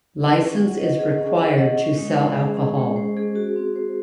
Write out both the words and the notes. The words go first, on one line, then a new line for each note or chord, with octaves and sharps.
Licence is required to sell alcohol.
G#4
C#4
F#5
D#5
G#4
C#4
F#5
D#5
C#4
G#3
C5
G#4
C#4
G#3
C5
G#4
F#4
C4
C5